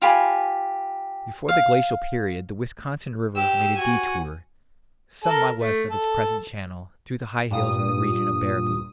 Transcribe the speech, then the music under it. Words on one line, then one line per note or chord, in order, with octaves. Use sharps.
Before the glacial period the Wisconsin River made a detour some miles west of its present channel through the high hills in the region of Baraboo.
F4 G4 G#5 B5
F5
G4 E6
F#4 G#5
A4 A#4
A3
A4
G2 A#2 D#6